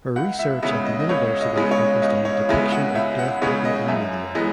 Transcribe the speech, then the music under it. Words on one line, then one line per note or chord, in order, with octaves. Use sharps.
Her research at the university focused on the depiction of deaf people in media.
C#2 F#5
E5
C#3 G#3 B3 E5
D#5
D#5
C#2 C#5
D#5
C#3 G#3 B3
C#5
C#2 D#5
C#5
C#3 G#3 B3 E5
F#5
C#2 E5
F#5
C#3 G#3 B3 C#5
D#5
F#2 E5
E3 G#3 B3 D#5